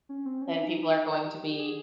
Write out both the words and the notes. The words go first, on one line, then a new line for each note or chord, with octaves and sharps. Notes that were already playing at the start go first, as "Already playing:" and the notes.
then people are going to be
C#4
C4
C#4
D#4
G4
G4
G#4